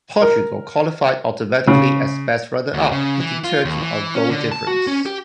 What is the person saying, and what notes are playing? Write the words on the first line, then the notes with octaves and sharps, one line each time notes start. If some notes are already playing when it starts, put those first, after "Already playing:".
Portugal qualified automatically as best runner-up, beating Turkey on goal difference.
A#4
C#3
D2
C#3
E3
F4
D#2
E3
C#4
D3
A5
F#4
C#4
G4